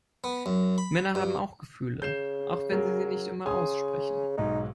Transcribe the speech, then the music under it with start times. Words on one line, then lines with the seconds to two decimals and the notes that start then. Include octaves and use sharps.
Männer haben auch Gefühle, auch wenn sie sie nicht immer aussprechen.
0.24 B3
0.46 F#2
0.78 B5
1.15 G2
2.02 C#3 G6 C7 E7
2.72 F#3 G#4 A#4
3.46 C#3 G#5 C6 D#6
4.37 B1 G#2 G#3 D#4